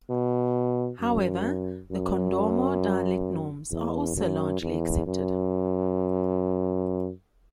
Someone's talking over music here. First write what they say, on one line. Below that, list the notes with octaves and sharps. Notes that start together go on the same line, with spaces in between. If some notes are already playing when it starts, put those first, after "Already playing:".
However, the Kondoma dialect norms are also largely accepted.
B2
F#2
F#2
E2
F#2
E2
F#2